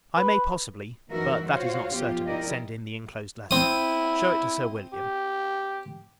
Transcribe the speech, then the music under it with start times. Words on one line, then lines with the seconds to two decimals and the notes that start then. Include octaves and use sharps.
I may possibly, but that is not certain, send in the inclosed letter. Shew it to Sir William.
0.16 B4
1.11 E3 D#4 F#4 A#4 E5
1.48 F4 F#4 C5 C#5 F5
1.91 B2 F3 F4 G4
2.26 D#4 E4 G4 A#4 D5 D#5
3.51 C4 E4 D#6
4.93 G4